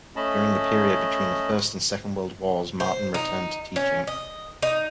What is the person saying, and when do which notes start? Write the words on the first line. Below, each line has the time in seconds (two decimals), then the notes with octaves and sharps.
During the period between the First and Second World Wars Martin returned to teaching.
0.16 A3 C#4 D#5 A5 B5
2.80 C5
3.14 D#4
3.76 C#4
4.07 D#5
4.62 D#4